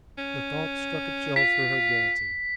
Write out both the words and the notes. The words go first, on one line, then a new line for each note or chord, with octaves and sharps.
The thought struck a chill through her gaiety.
C#4
F4 B6